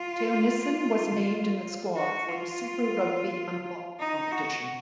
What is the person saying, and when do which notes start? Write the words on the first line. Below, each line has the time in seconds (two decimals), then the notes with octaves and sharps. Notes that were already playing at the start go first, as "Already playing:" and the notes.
Theunissen was named in the squad for the Super Rugby Unlocked competition.
Already playing: F4
1.95 F#4
2.29 F4
3.99 D#4
4.32 F#4